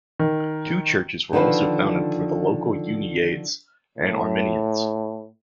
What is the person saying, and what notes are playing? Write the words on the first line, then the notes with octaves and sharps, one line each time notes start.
Two churches were also founded for the local Uniates and Armenians.
D#3
D3 D#3 F3 B4 C5
A2